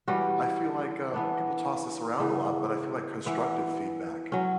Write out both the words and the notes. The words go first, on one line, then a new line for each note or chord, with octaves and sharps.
I feel like, uh, people toss this around a lot, but I feel like constructive feedback
E3 G3 C#4 F#4
E3 B3 D4
C#3 E3 B3
E3 B3 E4
F#3 C#4